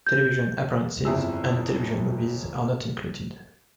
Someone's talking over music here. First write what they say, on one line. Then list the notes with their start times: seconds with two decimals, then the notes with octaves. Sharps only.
Television appearances and television movies are not included.
0.07 G6
1.05 G1 F2 E4 G#4 E6